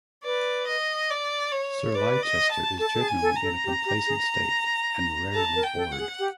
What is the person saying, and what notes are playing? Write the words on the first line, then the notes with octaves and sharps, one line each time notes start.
Sir Leicester is generally in a complacent state, and rarely bored.
B4 D5
D#5
D5
C#5
B4 D5
D#5
A5
A4 A5
A4
G#4
G#5
A4
A#5
A4
G4
G4
G#4
A4 A5
A#4
G5
A4
F#5
G#4
G4